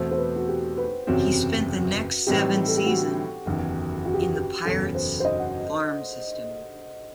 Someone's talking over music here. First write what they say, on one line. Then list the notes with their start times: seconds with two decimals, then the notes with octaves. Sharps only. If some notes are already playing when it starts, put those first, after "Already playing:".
He spent the next seven season in the Pirates' farm system.
Already playing: E2 B2 A3 C4 C5
0.11 C5
0.18 B4
0.36 F#4
0.48 G4
0.78 B4
1.07 F#1 E2 C3 F#3 C4 F#4
2.27 A2 E3 G3 C4 D#4 G4
2.56 G4
2.68 A4
2.77 G4
2.87 F#4
3.46 F#1 E2 D#3
4.06 F#4
4.14 G4
4.22 F#4
4.35 G4
4.65 F#1 E2 B2 F#3 A4
4.95 C5
5.20 C5
5.25 D#5
5.40 F#5